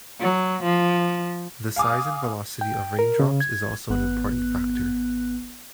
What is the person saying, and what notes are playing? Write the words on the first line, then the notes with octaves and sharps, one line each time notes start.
The size and velocity of rain drops is also an important factor.
F#3
F3
F5 G#5 D6 D#6
G5
A#4
C#3
G#6
G#1 B3 F#6